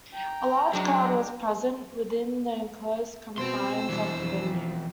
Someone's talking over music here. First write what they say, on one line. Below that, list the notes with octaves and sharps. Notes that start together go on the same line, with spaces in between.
A large crowd was present within the enclosed confines of the venue.
G5 A#5
F#3 G#3 D4
B2 C4 C5 C6 E6
B2 E3 G3
F2